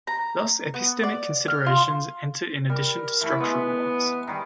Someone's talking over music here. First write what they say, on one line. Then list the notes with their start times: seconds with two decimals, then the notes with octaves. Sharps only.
Thus epistemic considerations enter in addition to structural ones.
0.07 A#5
0.74 B3
1.03 D5
1.48 F6
1.66 F4
2.69 G3 A#4
3.21 E3 A3 B5
3.40 G#3 B3
4.27 D#3 G3